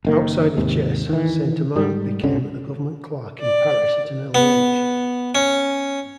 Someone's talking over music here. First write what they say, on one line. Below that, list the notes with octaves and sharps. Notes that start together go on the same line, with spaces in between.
Outside of chess, Saint-Amant became a government clerk in Paris at an early age.
F#1 D#3 A#3
D#2 G#2 C3
D#3 E3
G#2 G3
G1 C#2 D3 C#4
D5
B3
C#4